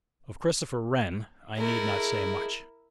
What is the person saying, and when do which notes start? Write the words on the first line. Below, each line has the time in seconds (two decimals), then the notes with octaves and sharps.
Of Christopher Wren I need not say much.
1.58 G#3 A3 E4 A#4